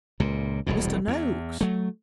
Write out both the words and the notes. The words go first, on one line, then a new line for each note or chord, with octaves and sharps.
Mr. Noaks!
C#2 A#2
E1 C2 F2 A2
E2
F#3 A3